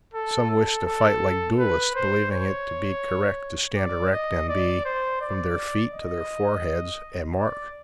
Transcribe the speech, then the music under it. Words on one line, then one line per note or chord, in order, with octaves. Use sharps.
Some wished to fight like duelists, believing it to be correct to stand erect and be, from their feet to their foreheads, a mark.
A4
A4
A4
B4
C5
C#5
D5
D#5
D5
C5
D5
D#5
D5